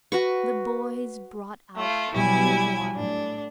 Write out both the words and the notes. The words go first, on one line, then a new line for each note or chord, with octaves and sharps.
The boys brought out a pan of water.
F#4 B4 C#6
A3 F4
B2 F#3 G3 E4 G#5
A2 D4